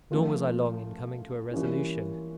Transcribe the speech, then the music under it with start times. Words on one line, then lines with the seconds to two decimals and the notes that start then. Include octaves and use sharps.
Nor was I long in coming to a resolution.
0.11 F3 A3 C#4 F4 A#4
1.51 E3 G3 A#3 C#4 F4